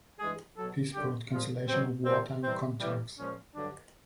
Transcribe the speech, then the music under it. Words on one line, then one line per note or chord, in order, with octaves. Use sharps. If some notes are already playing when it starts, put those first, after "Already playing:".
Peace brought cancellation of wartime contracts.
G2 E3 G#3 G#4
B2 F#3 A4
F#2 D3 G3 G4
A#2 F3 G#3 F4
B2 F#3 C4
A#2 G3 C4
C3 E3 G3 C4
A2 E3 G3
A#2 F3 G#3 C#4
G2 D3 F#3 D4